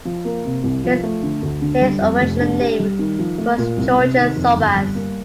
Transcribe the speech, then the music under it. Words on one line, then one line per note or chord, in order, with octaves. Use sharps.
His original name was Georgios Zorbas.
F3
A#3
C3
C2
F3
A3
D3
D2
D3
G3
F2
F1
D4
G4
G3
D#3
F3
A3
A#2
C2
C3
D#3
F2
G1
G3
A#3